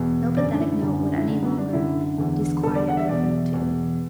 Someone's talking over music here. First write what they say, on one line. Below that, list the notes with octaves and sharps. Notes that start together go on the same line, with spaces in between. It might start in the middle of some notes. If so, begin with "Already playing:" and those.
No pathetic note would any longer disquiet their finitude.
Already playing: E2 B2
F#2 D3 D5
D4
E4
F#2 D3
E4
F#2 D3 D4
B3
D4
F#2 D3 E4
E2 D3
E2 D3 A4
D5
F#5
E5
E2 B2 D5
E2 B2